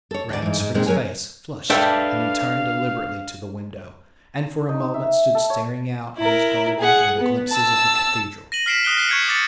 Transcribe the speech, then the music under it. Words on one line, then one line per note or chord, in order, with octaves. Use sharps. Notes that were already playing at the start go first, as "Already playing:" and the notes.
Ransford's face flushed and he turned deliberately to the window, and for a moment stood staring out on his garden and the glimpses of the Cathedral.
A4 C#5
D2 D5
G#2 E3
G#2
A#2 D#3 G#3 C4
F#3 A#4 B4 C#5 G#5
D4 A4 B4 D5 E5 F5 G5
D#4
E5
A4
C#5
E4 A#4
G#4 F#5
B3
A5 E6
A#6 D#7 F#7
F6 B6 C7 D7 E7
D#6 F#6 D7 G7
F6 F#6 A#6 C7
C#6 G6 G#6 B6 C#7
D6 A6 C#7